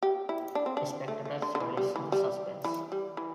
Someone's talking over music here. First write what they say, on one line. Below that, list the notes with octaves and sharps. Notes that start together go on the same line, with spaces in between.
Spectators relish the suspense.
G4
E4
D4
C4
D4
A3
A3
D3
D3
E3
G3
E3
G3
E3
G3
E3